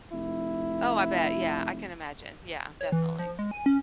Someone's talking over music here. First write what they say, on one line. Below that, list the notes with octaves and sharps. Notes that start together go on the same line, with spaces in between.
Oh, I bet, yeah, I can imagine, yeah, definitely.
F1 E4
C#5
E3
F3
G#3
G#5
C#4